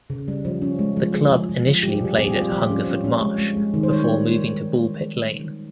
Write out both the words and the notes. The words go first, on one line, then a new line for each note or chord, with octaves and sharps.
The club initially played at Hungerford Marsh, before moving to Bulpit Lane.
C#3
G3
F3
C#4
G#3
F3
F3 G#4
F3
F3
F3
G3 G4
G#4
A#2 G4
C4 G#4
G4
G3 F4
G4
F3
C#4
C#4
C#4
G#3
G#3
G#3
D#3
C5
G3 C#5